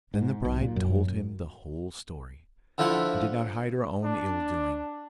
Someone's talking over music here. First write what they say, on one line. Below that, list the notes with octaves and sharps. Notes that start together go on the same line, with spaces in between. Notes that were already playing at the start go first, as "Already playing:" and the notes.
Then the bride told him the whole story. and did not hide her own ill-doing.
G#2
B1
A#2
F#2
D3 F3 E4 F#5
D4